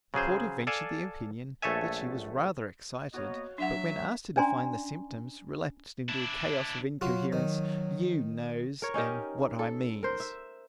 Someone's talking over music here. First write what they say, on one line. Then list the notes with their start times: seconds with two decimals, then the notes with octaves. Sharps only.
The porter ventured the opinion that she was rather excited, but when asked to define the symptoms relapsed into a chaos of incoherent "you-knows" and "what-I-means."
0.14 C#3 F#3 G#4 C5
0.67 A4 D5 F5 G#5 A5
1.62 A#1 A3 A4 C#5 E5 G#5
3.14 A#3 B3 F#4 C#5 D#5 F5
3.58 F#3 D4 E5 F#5
4.36 C#4 D4 D5 G#5 A#5 C6
6.09 D4 E4
7.01 F#3 F4 F#4
7.33 D#3
8.82 A#4 C#5
8.94 C#4 D#4 G4 A#4
9.59 A4
10.03 A#4 C5
10.20 E5